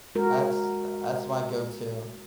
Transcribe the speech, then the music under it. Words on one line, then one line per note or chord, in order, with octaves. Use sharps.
that's that's my go-to.
G#3 F#4 A#4